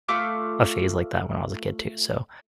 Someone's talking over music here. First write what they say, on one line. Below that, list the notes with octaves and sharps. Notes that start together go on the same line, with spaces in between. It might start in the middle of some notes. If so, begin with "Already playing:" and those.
a phase like that when I was a kid too so,
A3 F4 D6